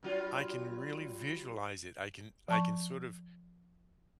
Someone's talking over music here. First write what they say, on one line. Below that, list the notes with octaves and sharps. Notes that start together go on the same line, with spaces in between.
I can really visualize it, I can I can sort of
G2 F#3 F4
F3 A5 C#6